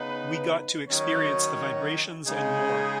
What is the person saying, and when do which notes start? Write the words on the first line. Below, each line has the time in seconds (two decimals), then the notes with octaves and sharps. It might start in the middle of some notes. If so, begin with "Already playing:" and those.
We got to experience the vibrations and more.
Already playing: C#3 B3 D#4 B4
0.88 D#3 F#3 C#4 F#4 C#5
2.26 C#3 G#3 D#4 G#4